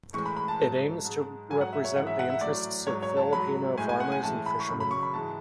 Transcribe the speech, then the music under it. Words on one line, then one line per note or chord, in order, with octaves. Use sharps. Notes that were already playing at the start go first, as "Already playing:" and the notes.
It aims to represent the interest of Filipino farmers and fishermen.
A2 E3 G#3 C#6
B5
B5
A5
G#2 F#3
G#2 G#3
G#2 F#3 G#5
F#5
E5
C#5
G#2 E3 G#3 F#5
E5
F#5
E5
A2 F#3 D5
G#2 F#3 C#5
C#5
A5
G#2 F#3 B5
A2 G#3 G#5
G#5
F#5
G#5
A2 E3 G#3 A5
B5
C#6
F#2 C#3 F#3 B5
B5
C#6
B5
G#2 E3 G#3 A5